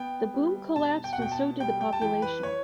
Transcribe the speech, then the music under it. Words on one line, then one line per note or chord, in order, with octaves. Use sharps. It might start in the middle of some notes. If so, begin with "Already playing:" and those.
The boom collapsed and so did the population.
Already playing: B3 G5
G3
B2 A5
G5
F#5
B2 G5
A5
G3 G5
G5
A5
E3 G5
B4
C#5